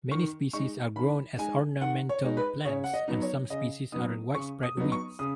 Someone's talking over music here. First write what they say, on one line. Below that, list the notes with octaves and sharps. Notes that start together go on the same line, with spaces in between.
Many species are grown as ornamental plants, and some species are widespread weeds.
D#3 C#6
G#3 D#4 C#6
D#3 B5
G#3 D#4 G#5
D#3 F#5
C#5
G#3 D#4
B4
C#3 C#5
F#5
D#5
F#3 B3 D#4
C#5
C#3 D#5
F#3 B3 D#4 D#6
C#3 C#6
D#6
F#3 B3 D#4
C#6
C#3 D#6